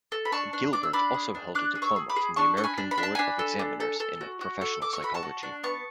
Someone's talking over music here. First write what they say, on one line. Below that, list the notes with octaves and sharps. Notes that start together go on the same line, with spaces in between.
Gilbert also held a diploma from the American Board of Examiners in Professional Psychology.
A4
B5
D4 A5 C#6
D4
D4 D6
E6
D4 B5 D6
G#4
D4
D4 D6 F#6
G#4
C#6 E6
G#4
B5 D6
G#4
D4 A5 C#6
A4 C#6
G#5 B5
D4
B5
D4
A5
D4 G#5 B5
A4
D4
A4
A4
F#4
F#4
A4
A4 D6
C#6
F#4 B5
A5 C#6
F#4
D4
B3 A5 C#6